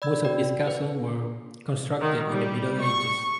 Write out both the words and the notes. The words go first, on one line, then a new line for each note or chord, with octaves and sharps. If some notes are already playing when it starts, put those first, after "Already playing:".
Most of these castles were constructed in the Middle Ages.
D5 B5 E6 G#6
F#4 D5 G5
B4
D#3
G3
C#6